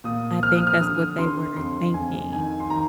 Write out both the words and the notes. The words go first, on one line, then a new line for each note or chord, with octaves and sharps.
I think that's what they were thinking.
A#2 D#6
F3 F6
D#6
F6
D3 D#6
D3 C6
F2 C6
F2 G#5
D#3 G#5
C6
D#3 A#5